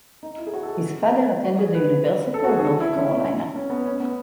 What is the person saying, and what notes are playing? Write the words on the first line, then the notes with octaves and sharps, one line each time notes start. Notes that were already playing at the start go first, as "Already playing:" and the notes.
His father attended the University of North Carolina.
D#4
E4
G#4
F#4
A4
G#4
F#4
G#4
B4
A4
F#4
G#4
G#4
A4
E4
C#4
C#4
B3
C#4
B3